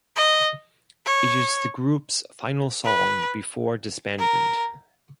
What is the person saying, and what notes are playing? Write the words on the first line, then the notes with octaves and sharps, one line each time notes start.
It is the group’s final song before disbandment.
D#5
C#5
B4
A#4